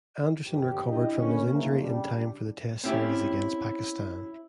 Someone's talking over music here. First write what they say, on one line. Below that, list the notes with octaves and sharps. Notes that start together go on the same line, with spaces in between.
Anderson recovered from his injury in time for the Test series against Pakistan.
G1 D#2 G4
D4 E4 G4 D#5
D3 A#3 B3 C#4
B1 F2 G#2 A3 A#3
C#3 G3 D4
C4 C#4 E4 G4